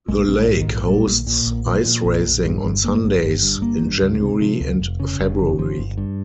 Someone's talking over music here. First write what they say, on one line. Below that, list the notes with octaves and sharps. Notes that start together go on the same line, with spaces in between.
The lake hosts ice racing on Sundays in January and February.
A#1 G#3
G#3
A#1 C4
G#3
G#2
D#3
A#1
F3
A#2 G3
A#1
A#2
A#1
A#2 F3
A#2
A#1
A#1
G2
G1
G2 A#3
G1
G1
G2
G1 A#3
G2
C#2
C3
C3 F3
C#2
F1
C#3
F1
C#3
G1 F3
G1
G2